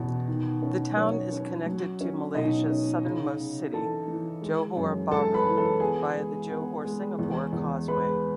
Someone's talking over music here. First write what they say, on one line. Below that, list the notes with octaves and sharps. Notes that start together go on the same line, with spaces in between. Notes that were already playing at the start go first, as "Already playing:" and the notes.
The town is connected to Malaysia's southernmost city, Johor Bahru, via the Johor-Singapore Causeway.
Already playing: E2 B2 C#4
D#3
C#4
F#3 C#5
C#4
F#3
C#4
B2 D#4 D#5
C#4
C#3
C#3
E3 A4 A5
E3
G#3
F#2
G#3 A4 A5
B4 B5
E3
A4 A5
B3 G#4 G#5
G#3
B3
G#3
E2
E2
G#3 B4 B5